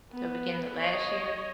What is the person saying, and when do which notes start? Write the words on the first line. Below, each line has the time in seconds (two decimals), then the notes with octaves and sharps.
the beginning of last year,
0.12 B3 B4
0.78 C#5 D#5